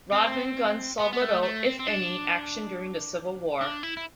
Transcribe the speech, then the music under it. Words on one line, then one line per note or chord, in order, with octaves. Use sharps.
Rodman guns saw little, if any, action during the Civil War.
C4
B3
B3
A3
A3
C4
C4
D4
D4
E4
E4